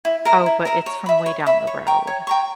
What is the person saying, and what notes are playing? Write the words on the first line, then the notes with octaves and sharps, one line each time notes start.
Oh, but it's from way down the road.
E4
A#4 E5 A#5
E4
A#4 E5 A#5
C#5
E5 B5
C#5
E5 B5
C#5
G5 A#5 C#6
C#5
G5 A#5 C#6